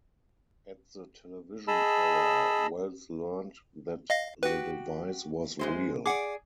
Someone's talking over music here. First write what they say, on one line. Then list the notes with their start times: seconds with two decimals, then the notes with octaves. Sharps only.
At the television tower, Wells learned that the device was real.
1.68 G#4 D#5 A5 B5 E6
4.10 D#5 F5 A#6
4.43 F#4 G4 B4
5.59 F#2 G#3 C5
6.06 G#4 D5 F#5 D6